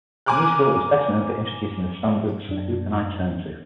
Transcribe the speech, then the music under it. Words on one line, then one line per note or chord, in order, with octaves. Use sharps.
The musical is best known for introducing the standards Who Can I Turn To?
G#5 A#5 D6 F6 F#6
F#2 D4